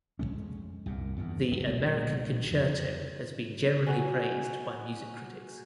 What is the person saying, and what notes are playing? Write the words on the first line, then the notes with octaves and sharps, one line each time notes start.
The "American Concerto" has been generally praised by music critics.
F1 G2 G#3 C#4
C2 F#2 A#2
E2 G2 A#2
F#1 B2 D#3 G#3
B1 A#2 G#3
F2 F3
F#3 F#4 G#5